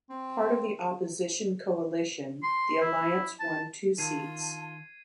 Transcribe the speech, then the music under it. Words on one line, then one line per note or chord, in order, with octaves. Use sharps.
Part of the opposition coalition, the Alliance won two seats.
C4
C6
E4
A5
D#3 F4 A5 G#6 C7 D#7